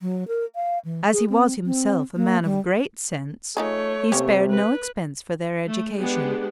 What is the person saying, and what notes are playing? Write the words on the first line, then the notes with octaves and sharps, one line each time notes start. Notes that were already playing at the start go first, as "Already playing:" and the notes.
As he was himself a man of great sense, he spared no expense for their education.
F#3
A#4
F5
E3
G#4
C4
C4
A#3
G3
F3 A3 D#4 G#4 C#5
C3 A#3 C4 C#4
B4
A3
G#3 B3 D4 G4